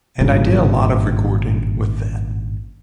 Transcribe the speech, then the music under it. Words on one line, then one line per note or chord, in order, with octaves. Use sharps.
And I did a lot of recording with that.
G#1 G2 A#2 C#3